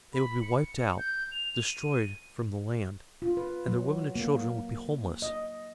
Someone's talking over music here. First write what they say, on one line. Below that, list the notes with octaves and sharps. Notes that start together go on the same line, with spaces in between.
They would be wiped out, destroyed from the land, and their women and children would be homeless.
B5
C#7
G6
F7
D#7
F4
B4
F#3
A#3
D#5